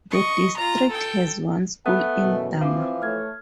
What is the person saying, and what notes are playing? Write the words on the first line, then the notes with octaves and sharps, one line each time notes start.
The district has one school in Damar.
D#5 C#6
F4 A#5
A4 G5
A3 B3 B5 F#6
F#2 B2 E3 B4
E3 F3 C4 F5 D6
A3 C#5 F6 G#6